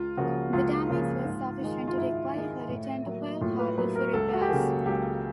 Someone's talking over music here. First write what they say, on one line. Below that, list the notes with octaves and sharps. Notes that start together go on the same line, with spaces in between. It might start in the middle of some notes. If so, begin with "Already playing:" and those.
The damage was sufficient to require her return to Pearl Harbor for repairs.
Already playing: C#2 F4
C#3 F3 A#3 F#4
C#2 F4
C#3 F3 A#3
G#2
D#3 G#3
F4
G#2 E4
D#3 G#3
A2
F#3 A#3
A2 F4
B4
F#3 A#3 B4
A#4
C#2 A4
F#4
G4
C#3 F#3 A#3 G#4
C#2 G4